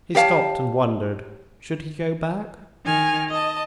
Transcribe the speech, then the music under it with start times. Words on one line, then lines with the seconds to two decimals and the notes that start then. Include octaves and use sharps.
He stopped and wondered--should he go back?
0.15 G4 C#5 F5 A5
2.85 D#3 G#5 F6
3.29 D#5 A5